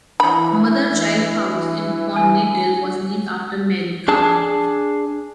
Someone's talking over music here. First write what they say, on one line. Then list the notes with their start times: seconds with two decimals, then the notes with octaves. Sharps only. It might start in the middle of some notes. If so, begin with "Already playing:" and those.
A mother-child house in Baunatal was named after Marie Calm.
0.20 E3 D4 E4 B5
2.16 G#5
4.08 D4 G#4 A5